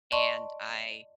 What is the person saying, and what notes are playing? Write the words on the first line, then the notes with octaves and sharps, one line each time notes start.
And I
D5 D#5 A5 C6 C#6